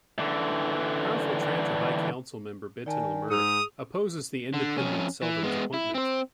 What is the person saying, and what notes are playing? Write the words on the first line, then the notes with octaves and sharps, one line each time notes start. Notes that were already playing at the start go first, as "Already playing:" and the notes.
Powerful Trantor High Council member Betan Lamurk opposes the independent Seldon's appointment.
D3 E3
D#3 D5 G#5 A5
G#2 G#4 D#6 E6 F7
D3
F2 C#4
E3
G#3 B3
E4
C4 C5